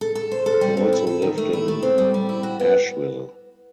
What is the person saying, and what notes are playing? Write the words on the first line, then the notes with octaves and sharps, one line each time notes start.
He also lived in Asheville.
A4
A4
C5
A4
G3
C4
E4
A4
D#3
A3
E4
A3
C4
G3
G3
E4
F#4
B3